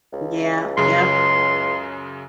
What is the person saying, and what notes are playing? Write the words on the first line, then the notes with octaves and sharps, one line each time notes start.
Yeah, yep.
C#2
F#2 C#3 C6